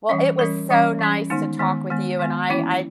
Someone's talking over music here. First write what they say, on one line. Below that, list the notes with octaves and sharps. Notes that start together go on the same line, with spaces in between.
Well, it was so nice to talk with you, and I I
E3 G3 C#4 C#5
E3 G3 C#4 A#4
E3 G3 C#4
E3 G3 C#4
D#3 G#3 B3 D#4
D#3 G#3 B3
D#3 G#3 B3
D#3 G#3 B3
E3 A#3 C#4 E4